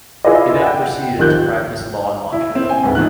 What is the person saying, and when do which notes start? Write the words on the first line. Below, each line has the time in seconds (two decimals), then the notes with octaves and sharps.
He then proceeded to practice law in Montreal.
0.25 E4 F4 G#4 B4 D5 D#5
0.61 F#5 G5
1.19 D#3 F3 G4 F#6 G6
2.32 E4
2.55 C4
2.69 G5 G#5
2.83 D2 G#2 B4
2.95 A2 F3 A3 D#4 F#6